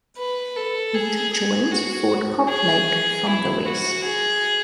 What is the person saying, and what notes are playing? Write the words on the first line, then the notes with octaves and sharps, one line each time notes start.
It joins Fort Cobb Lake from the west.
B4
A4
G#4
G#4
F#4
G#4
E4
F#4
G#4